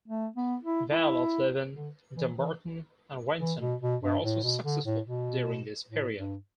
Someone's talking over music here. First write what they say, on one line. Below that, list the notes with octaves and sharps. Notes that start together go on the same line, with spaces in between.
Vale of Leven, Dumbarton and Renton were also successful during this period.
A3
B3
E4
E4
D3
E3
E3
E3
B2
B2
G2
A2
B2
D3
A2
B2
A2
G2